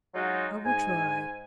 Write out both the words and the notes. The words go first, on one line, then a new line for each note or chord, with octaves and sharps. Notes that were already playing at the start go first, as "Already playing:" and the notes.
"I will try."
F#3 G#3 D#4 F4 F#4
G#2 G#5